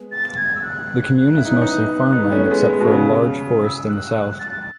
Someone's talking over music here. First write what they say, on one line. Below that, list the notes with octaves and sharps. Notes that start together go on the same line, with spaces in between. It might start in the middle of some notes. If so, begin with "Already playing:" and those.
The commune is mostly farmland except for a large forest in the south.
Already playing: G#3 B3
A6
G#6
E6
F#6
E4
D#4
C#4
B3 D#4
B3 D#4
A3 C#4
G#3 B3
G#3 B3
B2
C#3
E6
F#6
F#6
A6